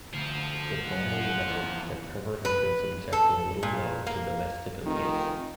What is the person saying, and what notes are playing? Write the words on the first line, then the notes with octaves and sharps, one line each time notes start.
The family learn that Trevor has been subjecting Little Mo to domestic abuse.
D2 C5 F5
F#2 F#5
F2 E3
B4
A4
A#2
A#3
F1 D#3